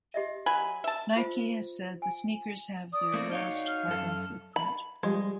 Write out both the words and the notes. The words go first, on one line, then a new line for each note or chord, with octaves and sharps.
Nike has said the sneakers have their lowest carbon footprint.
G4 D#5 E5
F#3 F#4 G#5 B5
E5 A5
F4 C5
G#5
D5 D#6
A3 A#3 C4
D#4 F#4 C#5 F5
F6
F#2 A4
B5
F3 G3 G#3